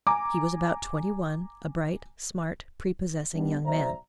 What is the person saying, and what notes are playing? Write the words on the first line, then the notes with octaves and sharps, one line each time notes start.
He was about twenty-one, a bright, smart, prepossessing young man.
G#5 A#5 D6
G3 B3 D4
B1 C5 D5 E5 A#5